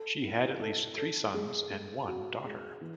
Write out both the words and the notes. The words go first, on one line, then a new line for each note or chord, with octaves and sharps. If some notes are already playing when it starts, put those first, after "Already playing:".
She had at least three sons and one daughter.
Already playing: A4
E4
A4
A4
G#3
G#3
F#4
G#3
E3